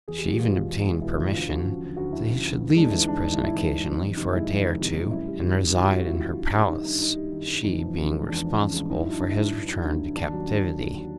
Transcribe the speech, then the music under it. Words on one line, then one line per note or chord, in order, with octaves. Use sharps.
She even obtained permission that he should leave his prison occasionally for a day or two, and reside in her palace, she being responsible for his return to captivity.
E2 G#4
G4
G#3 F#4
B2 F4
E2
E2
G#3
B2 E4
E2 E4
D2 F4
F3 F#4
C#3
D2
D2 F#4
F3 E4
C#3 E4
D2
G2
G#3 D4
D#4
E3 E4
G2 D4
G2 D#4
E4
G#3
E4
E3 D#4
G2
F2
D#3
C3 D#4
G#3 E4
F2 E4
D#3
C3
G#3
F#2 E4
G3
D#3
F#2
F#2 F4
F#4
G3
F#4
D#3 E4
F#2
G2
G3
D#3 D#4
G2 D#4
G2 D#4
G3
D#3
G2
E2 D#4
F3
C#3
G#3
E2 D4
F3
C#3
G#3
G2 D#4
E4
F#3
D4
D3 D#4
E4
G2
G2
F#3
D3
G2
D#2 D4
F#3
D3
D#2
D#2
F#3